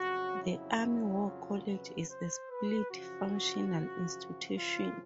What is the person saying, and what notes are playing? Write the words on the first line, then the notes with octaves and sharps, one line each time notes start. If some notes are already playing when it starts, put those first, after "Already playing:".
The Army War College is a split-functional institution.
Already playing: F2 C#3 F#3 F#4
E4
F4
B4
C5
B4
F#2 C#3 F3 F#4
F4